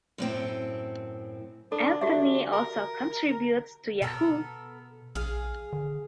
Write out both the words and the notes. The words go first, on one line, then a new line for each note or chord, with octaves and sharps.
Anthony also contributes to Yahoo!
F#2 A2 C4
D4 A4
D4 F#4 G4 E5
A#4
B2 B3 A4 A#4
A#1 G#4 F5
D3